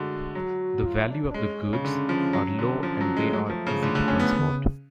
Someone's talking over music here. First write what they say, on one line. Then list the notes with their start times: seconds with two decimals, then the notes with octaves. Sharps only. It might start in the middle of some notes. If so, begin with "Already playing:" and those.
The value of the goods are low and they are easy to transport.
Already playing: D3 G#3 A3 F#4
0.35 F#3
0.85 F4
1.10 D4
1.30 D4
1.34 G#3 C#4
1.73 C#3
1.85 D3
2.09 F3
2.33 F#3
2.59 D3
2.83 F3
3.01 F#3
3.17 G#3
3.32 F#3 A3
3.50 F3
3.67 C#3
3.83 D3
3.95 D3
4.08 C#4
4.19 B3
4.39 D3
4.49 C#3